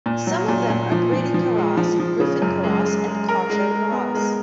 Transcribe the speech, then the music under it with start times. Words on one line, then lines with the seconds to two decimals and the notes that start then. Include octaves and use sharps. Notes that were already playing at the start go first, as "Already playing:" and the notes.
Some of them are Brady Karras, Griffin Karras, and Carter Karras.
0.06 A#2
0.27 F#3
0.48 A#2
0.70 A#2
0.92 F3
1.13 F3
1.34 F3
1.56 G#3
1.77 F3
2.00 F3
2.20 C#3
2.42 F#2
2.64 G#3
2.85 G#3
3.07 G#3
3.29 A#4
3.50 G#3
3.71 G#3
3.92 B3
4.15 G#3